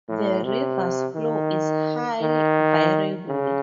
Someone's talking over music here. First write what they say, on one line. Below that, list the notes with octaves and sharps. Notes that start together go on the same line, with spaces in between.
The river's flow is highly variable.
A2
C3
D#3
D#3
C#3